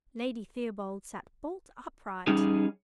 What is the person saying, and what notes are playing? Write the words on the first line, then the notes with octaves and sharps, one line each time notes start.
Lady Theobald sat bolt upright.
G3 C#4 D#4 G#4